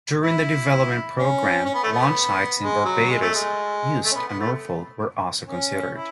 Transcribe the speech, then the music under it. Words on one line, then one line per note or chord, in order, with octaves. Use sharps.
During the development programme, launch sites in Barbados, Uist and Norfolk were also considered.
E4
C#4
C#4
B3
A3
B3
G#3
F#3
G#3
A3
G#3
A3
C#4
B3
B3
A3
C#4
E4